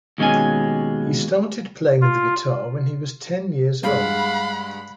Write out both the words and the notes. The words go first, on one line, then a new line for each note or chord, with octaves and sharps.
He started playing the guitar when he was ten years old.
D#2 B2 G#3 C#4 G#5
F4
G2 G#3 F5 F#5 B5